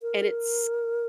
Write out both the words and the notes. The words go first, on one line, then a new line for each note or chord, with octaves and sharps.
And it's
A#4